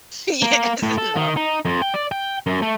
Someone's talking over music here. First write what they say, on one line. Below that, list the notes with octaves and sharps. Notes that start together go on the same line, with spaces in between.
Yes. No.
A#3
A2
A4
D#3
D#4
F2
G5
D5
G5
F#2
A3